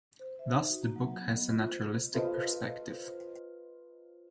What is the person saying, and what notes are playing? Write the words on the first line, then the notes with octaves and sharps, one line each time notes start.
Thus, the book has a naturalistic perspective.
C5
E5
D#4
F#4
A#3
F#3
B3
D#5
F4
C5
F4 A4 B4 C5 D#5 F5